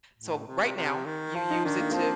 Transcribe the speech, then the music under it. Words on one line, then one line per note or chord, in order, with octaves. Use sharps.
so right now you use it to"
A2
C3
C3
D#3
F3 F4
D#4
D#3 D4
A#3
A#3
F3 C4